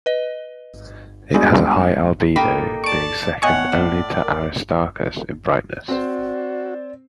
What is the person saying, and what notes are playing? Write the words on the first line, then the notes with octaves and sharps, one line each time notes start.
It has a high albedo, being second only to Aristarchus in brightness.
B4 D#5
G3 G#3 B3 D4 F#4 G#4
A#3 D#4 G4 A4 B5
D5 A5 C#6 D7
A2 B3 C#5 D#5 F#5 G#5 C#6
A2 D5
A#4
C4 F#4 C5 D5